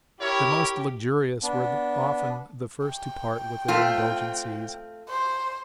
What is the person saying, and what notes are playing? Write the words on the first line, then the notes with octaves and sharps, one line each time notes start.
The most luxurious were often the first to part with their indulgencies.
E4 G4 A#4 C#5 G5
B3 D4
G5
A3 C4 F4
C5